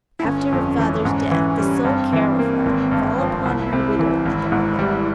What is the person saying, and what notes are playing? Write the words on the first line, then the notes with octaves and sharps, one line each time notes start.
After her father's death the sole care of her fell upon her widowed mother alone.
E4
G1 C#4
F2
E3
G#2
E3
G3
G2 C4
E3
A#3
G#1
G2
F3
C2 E4
C3
E3
G#1
G#2
G3